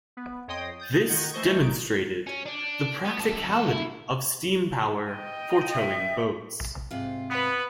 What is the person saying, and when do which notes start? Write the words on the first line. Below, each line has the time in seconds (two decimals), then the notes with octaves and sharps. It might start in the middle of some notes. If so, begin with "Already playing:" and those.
This demonstrated the practicality of steam power for towing boats.
0.17 B3
0.48 F2 C#5 D#5 G5 C6 D#6
0.79 D#6 G6 A6
1.07 D#3 D#5 F#5 G6 G#6
1.32 E3 A3 C5 D#5 C#6 G6
1.59 A1 D#4 D7
2.27 C#4
2.46 D4
3.05 B3
3.19 F#2 A4
3.49 E2 A4
3.70 E4
5.12 D#5 G5
5.75 E5
6.91 G#2 C3 F4
7.30 B3 B4